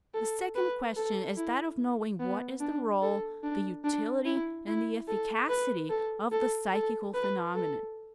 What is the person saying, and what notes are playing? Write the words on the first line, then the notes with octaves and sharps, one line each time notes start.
The second question is that of knowing what is the role, the utility, and the efficacity of the psychical phenomenon.
A4
B4
A4
E4
B3
D4
A4
D4
D4
E4
E4
A4
B4
A4
A4
A4
B4
A4